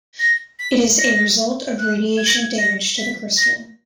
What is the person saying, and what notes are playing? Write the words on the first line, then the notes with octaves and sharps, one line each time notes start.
It is a result of radiation damage to the crystal.
A#6
B6
A#6
F#6
G#6
A#6
G#6
A#6
B6
A#6